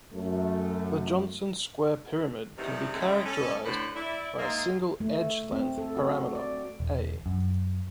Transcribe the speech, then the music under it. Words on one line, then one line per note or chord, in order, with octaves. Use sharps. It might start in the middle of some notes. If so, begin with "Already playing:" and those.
The Johnson square pyramid can be characterized by a single edge-length parameter "a".
F#2 A3
C3 D#3 E3 G3 G#3 B3
C#3 G#3 A3 D#4 E4 G5
C#4 A4
A2 D3 B4 C5
E4 D5
G#2 A#3 D#4 E5 C6
A3
C4
A4
F#4
D5
E1
F#2